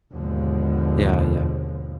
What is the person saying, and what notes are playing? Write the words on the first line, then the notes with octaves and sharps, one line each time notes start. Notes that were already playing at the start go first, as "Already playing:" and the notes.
Yeah, yeah.
D#2 G#2 B2 D3 F3 G#3